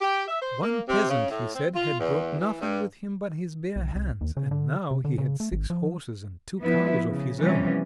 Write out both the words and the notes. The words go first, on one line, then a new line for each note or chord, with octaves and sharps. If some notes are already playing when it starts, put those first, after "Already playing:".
One peasant, he said, had brought nothing with him but his bare hands, and now he had six horses and two cows of his own.
G4
E5
C5
A#3
C3
C#3
A2
C4
F4
E2
E3
G2
B1
C2
D#2
C#3
D3
C3
D3
C#3
A3
G#1
F3
F3 B3 E4 B4
C#3
C3 E3 F3 G3 B3 C#4